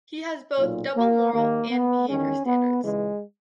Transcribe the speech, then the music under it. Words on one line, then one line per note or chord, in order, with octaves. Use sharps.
He has both double moral and behaviour standards.
B1 A#2
A#3
D#2 D#3 A#3
B3
E2 D#3 C#4
B3
C#2 C#3 E3 G#3